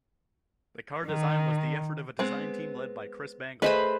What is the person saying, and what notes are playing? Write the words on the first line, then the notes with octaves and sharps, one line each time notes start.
The car design was the effort of a design team led by Chris Bangle.
D#3
G#3 B3 C4
A3 G#4 B4 C5 D#5 B5